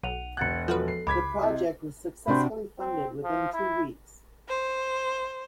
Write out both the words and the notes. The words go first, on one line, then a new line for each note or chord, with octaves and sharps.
The project was successfully funded within two weeks.
B1 F#5 D#7 F7
E1 F#5 F#6 G#6 A6 C#7
F3 F#4 A4 B4
C7
C#2 B5 D6 G#6 B6
C3 E4 D#5
C3 D4 F#4 C5 G5 B5
C4
F3
E4
C5